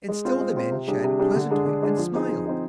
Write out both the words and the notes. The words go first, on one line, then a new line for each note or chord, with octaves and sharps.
And still the men chatted pleasantly, and smiled.
G#3
C4 F4 C5
G#3
C4 F4 C5
C3
G3 D4 G#4
C3
G3 D4 G#4
D3
G#3 D4 G#4
D3
G#3 D4 G#4
F3
C4 D#4 G#4
F3
C4 D#4 G#4